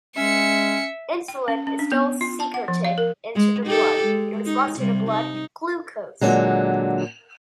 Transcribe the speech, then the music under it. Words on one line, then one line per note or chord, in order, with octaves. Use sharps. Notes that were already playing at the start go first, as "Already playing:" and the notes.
Insulin is still secreted into the blood in response to the blood glucose.
G#3 C#4 E5 C#7
G5
C#4
C#4
D4
B3
F4
A5
F#5
F3
F5
A#4
G#3
D#4 G4 A4
G#3
D#4
C3 G3
D#4
A#2 D3 F#3 G#3